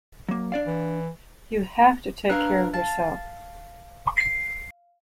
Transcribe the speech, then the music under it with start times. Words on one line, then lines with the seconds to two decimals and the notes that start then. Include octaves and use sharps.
You have to take care of yourself.
0.29 F#3 A#3
0.52 D4 D5 F5
0.67 E3
2.30 D4 A#4 B4 F5 F#6
2.74 F5 A5